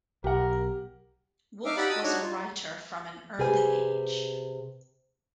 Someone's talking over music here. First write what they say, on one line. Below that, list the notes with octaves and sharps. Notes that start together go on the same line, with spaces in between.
Wolfe was a writer from an early age.
B1 G4 A#4 F#5
D#4 E5 F5 D6
D#4 G4 D5 E5 F#5 B5
F#4 A5 D#6 E6
D4 D#4 F#4 C#5
F4
C3 G4 G#4 B4 C5 G#5